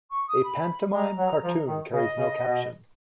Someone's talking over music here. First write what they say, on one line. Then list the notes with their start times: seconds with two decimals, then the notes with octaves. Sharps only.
A pantomime cartoon carries no caption.
0.10 C#6
0.27 D#6
0.43 B5
0.93 G#3 A#5
1.18 F#3
1.43 F3
1.68 D#3
1.93 C#3 D#5
2.17 C#3
2.42 B2